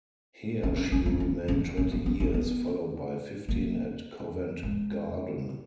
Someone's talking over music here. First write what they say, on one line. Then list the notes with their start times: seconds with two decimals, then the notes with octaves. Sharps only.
Here she remained twenty years, followed by fifteen at Covent Garden.
0.63 C#4
0.77 C#4
0.92 C#4
1.06 C#4
1.20 C#4
1.48 C#4
1.77 C#4
1.92 B3
2.06 B3
2.20 C#4
2.34 B3
3.48 A#3
4.63 G#3